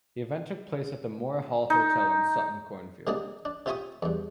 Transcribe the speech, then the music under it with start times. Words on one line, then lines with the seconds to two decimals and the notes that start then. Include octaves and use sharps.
The event took place at The Moor Hall Hotel in Sutton Coldfield.
1.70 D#4
3.07 C3 G#3 A#3 D4 G#4
3.45 D4
3.66 C3 F4 E5 G#5 C#6 D#6
4.02 E2 G2